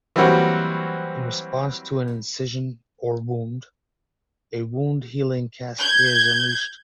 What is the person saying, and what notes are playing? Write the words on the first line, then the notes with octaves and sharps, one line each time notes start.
In response to an incision or wound, a wound healing cascade is unleashed.
E3 F#3 G3 A#3 C4 F#4
G6 G#6